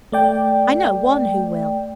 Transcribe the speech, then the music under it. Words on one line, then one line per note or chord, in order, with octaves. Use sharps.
I know one who will.
A3 D5 G5